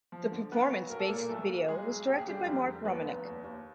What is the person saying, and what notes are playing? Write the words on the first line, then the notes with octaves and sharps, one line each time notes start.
The performance-based video was directed by Mark Romanek.
F3
D3
B1 B3 B4
F#3
B1 A#4
A4
A#2 A#3 A#4
B1 A3 A4
B1
B1 G#3 G#4
B1
D#2 G4
G#4
D3 G3 G4
F1
D3
D#2 B3 B4
F1
D#2
D#2